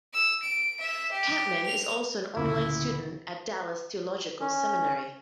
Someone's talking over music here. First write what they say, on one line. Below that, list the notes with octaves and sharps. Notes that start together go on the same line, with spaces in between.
Kampman is also an online student at Dallas Theological Seminary.
E6
D7
E5
G4
F7
D2 A#2 C#3 E4
C#4